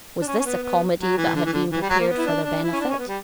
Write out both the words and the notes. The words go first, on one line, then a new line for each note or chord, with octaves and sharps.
Was this a comedy that had been prepared for their benefit?
D4
C#4
C#4
B3
B3
F#3
E3
D3
E3
D3
E3
G3
F#3
A#3
B3
E4
D4
D4
E4
C#4
D4
C#4
B3
G3